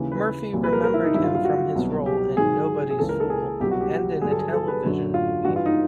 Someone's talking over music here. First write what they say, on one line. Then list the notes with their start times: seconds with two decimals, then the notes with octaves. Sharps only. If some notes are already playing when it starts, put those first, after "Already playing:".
Murphy remembered him from his role in "Nobody's Fool" and in a television movie.
Already playing: D#2 C#3 E3
0.12 B4
0.53 C2 A#2 F#3
0.64 B4
0.73 A#4
0.84 A#4
0.94 E4
1.05 D#4
1.14 G2 D#3 F#3 E4
1.24 F4
1.35 F4
1.45 F#4
1.76 C2 B2 F#3
2.06 G4
2.37 G#2 D#3 F#3 G#4
2.90 G#4
2.98 C#2 C#3 E3 A4
3.09 A#4
3.20 A4
3.30 G#4
3.60 C2 B2 F#3 G4
3.71 F#4
3.81 G4
4.22 G2 D3 F#3 G#4
4.31 A4
4.39 G#4
4.53 A4
4.68 B4
4.84 F#2 D3 F#3
5.14 F4
5.45 G2 E3 F#4
5.56 F4
5.66 D#4